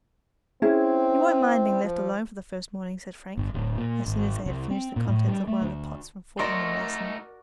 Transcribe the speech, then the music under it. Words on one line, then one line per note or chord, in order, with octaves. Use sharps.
"You won't mind being left alone for the first morning?" said Frank, as soon as they had finished the contents of one of the pots from Fortnum and Mason.
C4 C#4 E4 G#4
F3
G1
D1
A#2
G#1
C2
C4
A#2
A2
G3
A3
D2
A3 D#4 F#4 A#4 D5 D#5 A#5 C6